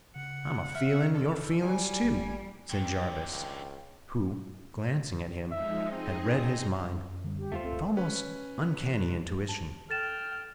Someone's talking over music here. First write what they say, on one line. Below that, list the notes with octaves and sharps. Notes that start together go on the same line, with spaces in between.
"I'm feelin' your feelin's too," said Jarvis, who, glancing at him, had read his mind with almost uncanny intuition.
C#3 F#5
E5 F6
F2 A4
G3 G#5
G#1 A3 A#3
D3 D#3 G5
C#2
F3 G#3 D#4 E5
C4 D#4 G#4 D#5
F#2
D3 G3
G4
E2 A3 F4 C5
C#2 C4 A4
C#4 B4
A5
A4 G5 F6 A6 E7